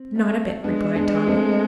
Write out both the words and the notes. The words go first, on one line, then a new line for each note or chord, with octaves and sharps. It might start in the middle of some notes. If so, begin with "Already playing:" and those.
"Not a bit," replied Tommy.
Already playing: C4
A3
G#3 B3 D4
B3 D4
A3 C4